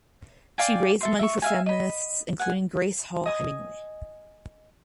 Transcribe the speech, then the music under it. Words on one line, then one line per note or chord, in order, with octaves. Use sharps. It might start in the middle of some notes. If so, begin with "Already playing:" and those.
She raised money for feminists including Grace Hall Hemingway.
D5 F5 G5 G#5
A4 E5 C6
E5 C#6
E5 F5 G#5
D#5 B5
F#5 G#5
D#5 G#5 D#6